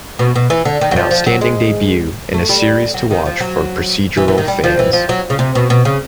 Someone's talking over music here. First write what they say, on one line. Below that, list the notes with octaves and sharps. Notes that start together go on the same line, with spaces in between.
An outstanding debut and a series to watch for procedural fans.
B2
B2
E3
D3
D#3
F#3
F3
F3
F#3
G#3
A3
G3
F#3
D#3
F3
F#3
E3
E3
D#3
G3
F3
E3
F3
F#3
C#3
C3
B2
B2
C#3